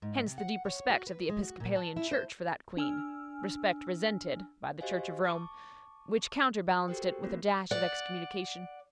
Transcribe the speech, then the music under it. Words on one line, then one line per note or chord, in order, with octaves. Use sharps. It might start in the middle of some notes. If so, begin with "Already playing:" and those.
Hence the deep respect of the Episcopalian Church for that queen--respect resented by the Church of Rome, which counterbalanced it with a dash of excommunication.
G#2
C3
F#5
C#5
F#4
B4
G#3
F#4
A#2
A5
E4
C5
D4 G#5 E6 F6
F#4 G4 C5 D#5 F5 G#5
A5 C#6 D6
F#4 G4 A4 A#4 C5 G5
A3 A#3 C4 F4 F#4 A#4
D5 F#5